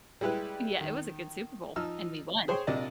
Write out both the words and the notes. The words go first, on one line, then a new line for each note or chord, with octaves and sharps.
Yeah, it was a good Super Bowl, and we won.
G3 G#3 E4 G4 B4
D#3
F3 D#4 E6 F6
G#4 C5 C#5 G5 C6
A#1 C3 D5 D#5